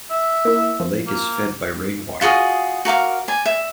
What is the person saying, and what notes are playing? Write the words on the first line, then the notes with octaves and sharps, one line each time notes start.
The lake is fed by rain water.
E5
A#3 E4
F3
A#3
F4 F#4 G#4 D#6
F#4 A#4 F5 D6
D5 G#5
E5